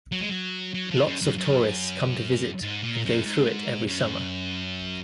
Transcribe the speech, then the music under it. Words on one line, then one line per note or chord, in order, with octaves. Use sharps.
Lots of tourists come to visit and go through it every summer.
F#3
G#3
F#3
F#3
F3
F#2
F#2
F#2
G#2
A#2
F#2
G#2
F#2